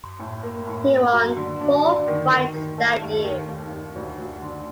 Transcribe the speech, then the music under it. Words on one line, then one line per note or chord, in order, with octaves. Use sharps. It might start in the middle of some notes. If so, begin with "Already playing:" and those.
He won four fights that year.
A2
A#3
A2
A#3
F#3
D3
D4
D3
D#3
D#3
D#3
A3
D#2
D#3
D#2
D#2
D2
D2
D3